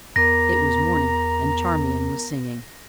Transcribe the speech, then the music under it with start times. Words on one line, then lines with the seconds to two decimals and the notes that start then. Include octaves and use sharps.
It was morning, and Charmian was singing.
0.16 E2 B3 A#4 A#5 D6 A#6